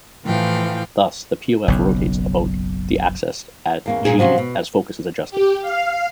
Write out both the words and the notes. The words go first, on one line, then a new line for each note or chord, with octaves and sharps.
Thus the PoF rotates about the axis at G as focus is adjusted.
A2 E3 F3 F5 G5
F#1 B1 F#2
E2 A#3 C#4
A#2 G#4
C3 F3 F#3 C#4 F4
B2
G4
F5